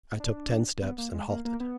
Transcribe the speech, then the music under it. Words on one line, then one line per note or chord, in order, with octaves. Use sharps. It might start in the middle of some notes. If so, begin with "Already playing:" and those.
I took ten steps, and halted.
D4
B3
A#3
G#3
A#3
A#3
B3